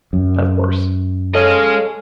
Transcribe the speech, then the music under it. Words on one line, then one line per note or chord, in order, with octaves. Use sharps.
Of course.
F#2
G#3 C#4 A4 C#5 D#5 F5 G#5